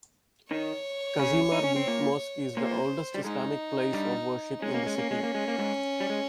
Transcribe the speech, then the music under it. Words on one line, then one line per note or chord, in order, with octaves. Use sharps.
Kazimar Big Mosque is the oldest Islamic place of worship in the city.
D#3 D#4 C#5
C#3 C#4
D#4
C#4
C4
A#2 A#3
A#2 A#3 C5
G3
G#2 G#3 D#4
G2 G3
G#3 C#4
A#3
G#3
A#3
G#3
A#3
G#3
A#3
G#2 G#3
G3
G#3